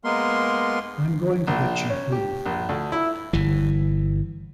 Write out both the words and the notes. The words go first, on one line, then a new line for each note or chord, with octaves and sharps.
I'm going to get you home, friend.
G#3 A#3 B3 A#4 C6
A#1
C#4
G4
A#1
D2
E4
G1 E3